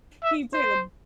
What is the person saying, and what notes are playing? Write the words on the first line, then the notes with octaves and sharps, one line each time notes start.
He did.
E5
C5